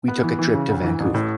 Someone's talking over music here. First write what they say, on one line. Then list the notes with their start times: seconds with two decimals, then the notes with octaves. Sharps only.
We took a trip to Vancouver.
0.08 B3
0.23 E3
0.39 E3
0.54 C#3
0.69 D2
0.84 E3
1.00 A1
1.14 A2